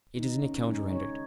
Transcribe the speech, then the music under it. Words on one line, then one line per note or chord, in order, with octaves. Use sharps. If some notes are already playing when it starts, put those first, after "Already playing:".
It is an account rendered.
D#3 D#4
C#3 C#4
C#4
G#3 D#4
C#3 C#5